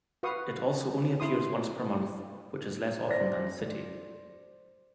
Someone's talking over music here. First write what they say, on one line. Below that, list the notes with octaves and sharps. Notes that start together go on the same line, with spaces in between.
It also only appears once per month, which is less often than "City".
F#4 B4 F5 C#6 D#6
E4 C6 D#6
C5 D5 A#6